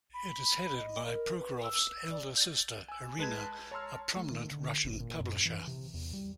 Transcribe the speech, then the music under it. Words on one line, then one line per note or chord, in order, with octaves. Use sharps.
It is headed by Prokhorov's elder sister, Irina, a prominent Russian publisher.
B5
D#5
A#4
B4
E6
D5
G6 A6
G#5 E6
G#3 B4 A5 G#6
C#5 A5 A#5 C6 E6 F6
A3
D#3
D3
F#1
A#2
F#2
E3
C3
E2
G3